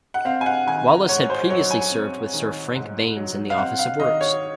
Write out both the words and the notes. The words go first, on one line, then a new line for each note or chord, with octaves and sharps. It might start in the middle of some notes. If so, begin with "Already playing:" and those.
Wallis had previously served with Sir Frank Baines in the Office of Works.
F#5
C4 F5
G#5
F#5
D#3 G#5
A#5
G#2 C#5
C5
F#3 C#5
G#5
C4
D#3
G#2
F#3
F5
C4 F#5
F5
D#3 D#5
C#5